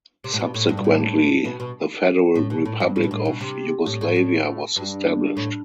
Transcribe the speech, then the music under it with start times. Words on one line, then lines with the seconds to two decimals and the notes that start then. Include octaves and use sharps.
Subsequently, the Federal Republic of Yugoslavia was established.
0.24 C3
0.33 A2
0.39 B2
0.54 A2
0.69 G2
0.77 B2
0.84 A2
1.45 B2
1.60 B2
2.35 A2
2.50 B2
2.65 A2
2.80 G2
2.96 A2
3.03 B2
3.11 A2
3.25 B2
3.41 C3
3.86 A2
4.01 A2
4.16 A2
4.76 G2
5.37 A2